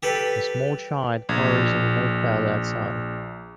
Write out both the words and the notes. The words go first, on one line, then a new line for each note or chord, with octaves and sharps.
A small child colors in a note pad outside.
G4 A4 B4
A#1 G#6